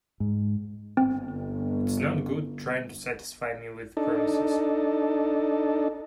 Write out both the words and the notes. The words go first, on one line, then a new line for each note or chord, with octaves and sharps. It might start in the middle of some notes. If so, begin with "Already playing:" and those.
It's no good trying to satisfy me with promises.
G#2
G1 C4
D4 D#4 A4